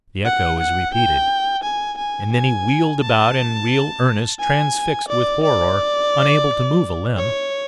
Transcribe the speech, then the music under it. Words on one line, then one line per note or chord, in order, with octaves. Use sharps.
The echo was repeated, and then he wheeled about in real earnest, transfixed with horror, unable to move a limb.
F#5
F#5
G5
G#5
G#5
G#5
A5
G#5
D5
D5
C#5